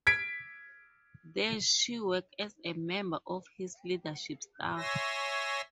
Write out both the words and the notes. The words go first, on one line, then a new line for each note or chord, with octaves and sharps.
There she worked as a member of his leadership staff.
G#6 B6 D7
C#5 E5 G#5 C6 E6 A#6